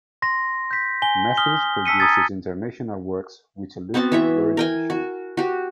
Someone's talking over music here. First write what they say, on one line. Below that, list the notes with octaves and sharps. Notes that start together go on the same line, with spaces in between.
Matthews produces international works which elude categorization.
C6 A#6
G6 B6
G#5 G7
D#6 F6 B6 G7
A5 E6 B6 C#7 D#7
A#5 D#6 E6 G#6 A6
B3 C4 F#4 A5
E3 C#5 E5
A#4 G5 G#5
F#4
F#4 G4